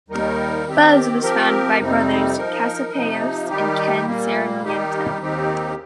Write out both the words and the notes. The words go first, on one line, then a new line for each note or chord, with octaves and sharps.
Phuz was founded by brothers Casapaos and Ken Sarmiento.
D#2 D#3 G3 D#4 A#4
D#3 C4 G4
F3 C4 G4 A#4
F2 C3 G3 C4 D#4
F3 D#4 A#4
C3 F3 D#4
D#3 G3 D#4 G4
A#2 G3 A#3
D#3 G3 D#4 G4
D#2 D#3 C4 D#4 G4